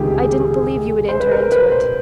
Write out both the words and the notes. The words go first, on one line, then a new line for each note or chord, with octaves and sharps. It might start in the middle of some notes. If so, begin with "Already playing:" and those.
I didn't believe you would enter into it.
Already playing: C#2 C3 D#3 G4 G#4
G#4
G4
G#4
C5
B4
A#4
B4
C5